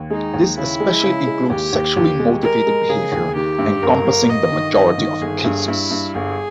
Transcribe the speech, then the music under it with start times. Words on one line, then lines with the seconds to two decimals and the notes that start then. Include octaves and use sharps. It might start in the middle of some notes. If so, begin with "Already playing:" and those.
This especially includes sexually motivated behaviour, encompassing the majority of cases.
Already playing: D#2
0.10 G#3 D#4
0.34 D#2
0.57 C#3 E4
0.80 G#3
1.03 C#3
1.27 G#3
1.50 D#2 G4
1.73 D#2
1.97 D#2
2.19 G#3
2.42 G#3 A#4
2.66 G#3
2.89 C#3 G#4
3.12 D#2
3.35 D#3 G4
3.59 G2
3.82 G1 A#4
4.05 G1
4.29 G1 D#5
4.52 D#3
4.74 G1 D#5
4.98 D#3
5.21 G1 G#4
5.44 G2
5.68 G2 E4
5.91 G2
6.15 G1 G#4